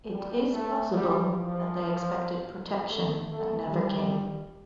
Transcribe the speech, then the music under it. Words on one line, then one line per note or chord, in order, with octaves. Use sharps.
It is possible that they expected protection that never came.
G3
A3
G3
F3
A3
A3
G3